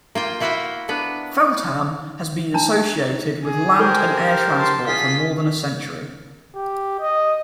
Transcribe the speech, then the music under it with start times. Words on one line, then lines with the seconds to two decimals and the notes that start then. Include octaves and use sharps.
Feltham has been associated with land and air transport for more than a century.
0.15 A#3 F4 G5
0.40 A#3 E4 F#4 E5 F5 G5
0.89 B3 D4 B4
2.54 D4 A5 A#5
3.44 G#4
3.79 G4 A4 A#4 C5 C#6
4.56 A5 C6
4.87 F4 G#4 C6 B6
6.55 G4
7.00 D#5